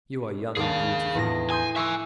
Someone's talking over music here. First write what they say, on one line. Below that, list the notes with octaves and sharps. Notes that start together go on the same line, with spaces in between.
You are young and beautiful.
D#2 D4 G#4 F5
E2 A2 A#6
G#5 C6 D#6 G6
E5 G#5 C#6 E6